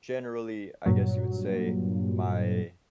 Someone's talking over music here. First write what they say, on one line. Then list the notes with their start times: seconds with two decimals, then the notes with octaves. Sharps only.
generally, I guess you would say, my
0.86 G2 A#2 F#3